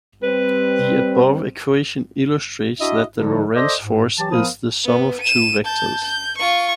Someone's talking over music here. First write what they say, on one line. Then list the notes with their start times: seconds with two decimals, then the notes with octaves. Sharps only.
The above equation illustrates that the Lorentz force is the sum of two vectors.
0.23 G3 C4 B4
2.80 D4 E4 F#4 D#5 E5
3.18 D3 F3 G3 D#4
3.55 A4 C5 D5 D#5
3.81 G#2
4.19 E3 F#3 G4 A5
4.31 F3 B3 A#4 C5 F5 D#6
4.86 B3
5.21 D#7 E7
5.65 A5 G6
6.04 G6
6.38 F4 C#6